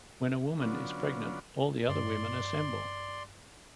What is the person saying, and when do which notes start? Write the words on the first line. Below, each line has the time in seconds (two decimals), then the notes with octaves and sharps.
When a woman is pregnant, all the other women assemble.
0.61 D3 F#3 B3 C#4 D4 F4
1.89 G2 D5 C6